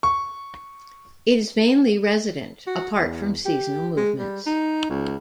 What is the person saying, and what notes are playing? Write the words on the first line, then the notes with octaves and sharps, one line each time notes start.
It is mainly resident, apart from seasonal movements.
C#6
F#4
E2
G4
G#3
G3
D#4
C#2